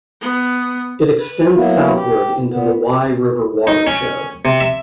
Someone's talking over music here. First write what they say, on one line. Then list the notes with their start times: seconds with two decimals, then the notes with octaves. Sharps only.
It extends southward into the Wye River watershed.
0.22 B3
1.19 B4
1.54 F#3 A#3 B3 E4
1.94 G4
2.51 A#2 B3
3.67 D#4
3.87 C#4
4.45 C3
4.60 E5